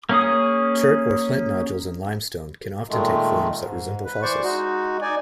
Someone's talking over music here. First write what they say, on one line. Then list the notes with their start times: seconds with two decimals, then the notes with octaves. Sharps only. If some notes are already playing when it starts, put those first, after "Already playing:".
Chert or flint nodules in limestone can often take forms that resemble fossils.
0.09 A#3 C#4 G#4 D#6
2.90 A#2 D#3 G#3 A3
3.58 G#2
4.05 B4
4.22 E3 C5 D5 C#6
4.43 G#3 D#4 F#4
5.01 D#4 D5 G#5